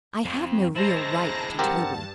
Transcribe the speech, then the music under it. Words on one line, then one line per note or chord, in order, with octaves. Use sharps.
I have no real right to Toby.
F2
G#3 E4 C5 A5 A#5 A#6
G2 C4 G4 A#4 F#5 A5